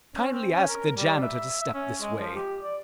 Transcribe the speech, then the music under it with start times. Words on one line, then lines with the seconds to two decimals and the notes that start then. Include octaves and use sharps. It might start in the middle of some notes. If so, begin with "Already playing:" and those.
"Kindly ask the janitor to step this way."
0.16 C#4
0.32 C4
0.55 C#4
0.69 A#4
0.96 G3
1.22 E5
1.61 E5
1.74 C#4
2.01 G#3
2.20 F3
2.35 G4
2.62 D5